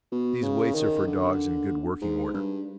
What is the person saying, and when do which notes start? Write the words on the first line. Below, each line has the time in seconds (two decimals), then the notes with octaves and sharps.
These weights are for dogs in good working order.
0.12 B2
0.43 C#3
0.74 D#3
1.07 D3
2.01 G#2
2.34 G2